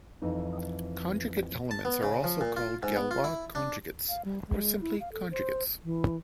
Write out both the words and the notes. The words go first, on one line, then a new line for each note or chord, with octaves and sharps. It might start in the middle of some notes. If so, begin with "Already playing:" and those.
Conjugate elements are also called "Galois conjugates", or simply "conjugates".
F2 E3 D#4
A5
B3
C#3
F3
A#2
F4
G#2
B3
F4
E4
D4
F5
G3
G#3
E4
F5
A4
C5
E3